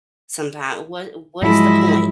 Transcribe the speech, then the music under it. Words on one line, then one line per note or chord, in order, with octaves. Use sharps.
sometimes. What what is the point?
G#2 F3 F#3 G#3 E4